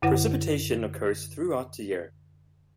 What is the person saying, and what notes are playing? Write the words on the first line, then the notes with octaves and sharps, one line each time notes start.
Precipitation occurs throughout the year.
F#2 D3 E4 B4 F#5 A#6